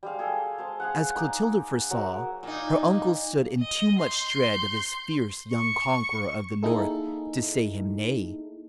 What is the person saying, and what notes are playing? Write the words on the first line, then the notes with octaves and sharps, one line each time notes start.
As Clotilda foresaw, her uncle stood in too much dread of this fierce young conqueror of the north to say him nay.
G3 G#3 F5
G#4 A4 F5 G5
G#3 C5 A5
G#4 F5 F#5
D#4 D5
F#3 A#4 F#5
A#2 D#4
D#5
C6 G6
C#6
A#3 D#4 E4 G#4 A4